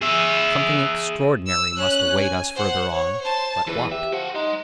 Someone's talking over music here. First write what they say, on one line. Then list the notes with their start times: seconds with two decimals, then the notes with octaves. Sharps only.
Something extraordinary must await us farther on, but, what?
0.01 G#4 E5
1.47 E6
1.77 C#4 F#6
2.18 G#5
2.55 C5 F#5
2.91 C#5
3.22 C5 A5
3.67 E2 E3 B4
3.92 G4 E5
4.12 F3 G4 F#5
4.35 D#4 D#5 C6